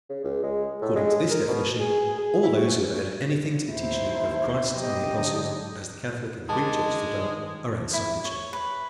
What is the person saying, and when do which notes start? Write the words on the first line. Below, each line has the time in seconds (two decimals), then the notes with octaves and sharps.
According to this definition all those who have added anything to the teaching of Christ and the apostles, as the Catholic and Greek churches have done, are outside the Church.
0.10 C#3
0.24 C#2
0.43 G#3
0.81 A2
0.96 G#3
1.31 A#4
1.48 B2
1.80 G#4
2.18 G#4
2.43 E4
2.57 F#4
3.73 D#2 E4 C5
4.74 B2 F#3 G4 D#5
5.09 D3 F#3
6.49 D#3 G#3 A5 D6
7.93 E4
8.25 C#5
8.53 B4